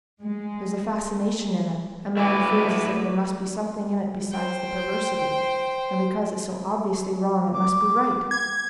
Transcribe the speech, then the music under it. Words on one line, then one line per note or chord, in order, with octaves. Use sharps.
There's a fascination in it; a man feels as if there must be something in it besides the perversity, and because it's so obviously wrong it must be right.
G#3
A3 E4 F#4 B4 D5
C5 G5
D6
G#6